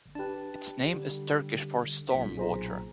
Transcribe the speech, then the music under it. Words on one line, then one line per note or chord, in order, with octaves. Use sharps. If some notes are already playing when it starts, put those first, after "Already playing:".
Its name is Turkish for "storm water".
D4 G4 B4 A5
D3 G3
B1 A#2 B6
G#4 C5 A#5